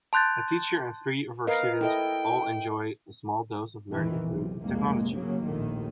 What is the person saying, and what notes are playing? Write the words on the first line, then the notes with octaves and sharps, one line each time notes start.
A teacher and three of her students all enjoy a small dose of learning through technology.
A5 C6 F#6 G6 A6
A#4 B4 D#5 F5
E4 A4 D#5 G5
A#1 F2 D#3 E3
B1 C3
F1 C2 F#2 G#3 A#3
C#3 F#3 A#3
A#1 D#2 A2 D#3